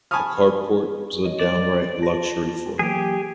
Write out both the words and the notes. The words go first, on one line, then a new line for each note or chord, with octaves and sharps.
A carport was a downright luxury for it.
G#5 A5 B5 C#6 D#6 F6
C#5 D#5
D5
F4 A5 A#6
E3 F#3 A#3 G4 G#4